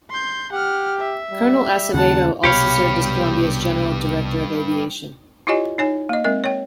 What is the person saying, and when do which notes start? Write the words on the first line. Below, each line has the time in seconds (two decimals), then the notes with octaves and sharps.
Colonel Acevedo also served as Colombia's General Director of aviation.
0.10 C6 G6
0.52 G4 F#5 F6
0.98 E5
1.30 G3
1.94 D#2 C#3 F#5 A5
2.44 C2 G2 B2 G4 C#5 F5 B5
5.47 E4 F4 G4 C#5 D#5 G#5
5.78 D#4 C#5 G#5
6.09 A#3 D#5
6.24 G#3 C4 A#4 D#5
6.44 C#5 G5